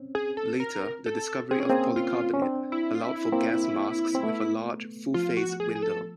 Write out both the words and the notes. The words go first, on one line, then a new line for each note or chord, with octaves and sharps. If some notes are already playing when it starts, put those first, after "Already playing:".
Later, the discovery of polycarbonate allowed for gas masks with a large full-face window.
Already playing: C4 C#4
G#4
A4
A#4
A4
C4 G#4
C#4
A#3 C4
F4
C#4
C4 D4
E4
F4
E4
A#3 C4
C4
A3 B3
F3 F4
F#4
G#4
G#4
A4